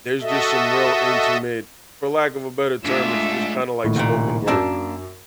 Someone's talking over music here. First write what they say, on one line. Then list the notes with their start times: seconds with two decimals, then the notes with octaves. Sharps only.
There's just some real intimate for lack of a better term, it's just kinda like spoken word.
0.21 F#4 A4 D#5 E5
2.85 G#2 A3 D4 F4 E5
3.84 A#1 A2 D#3
3.96 C2 A#2
4.48 F#2 A#3 D4 A5 E6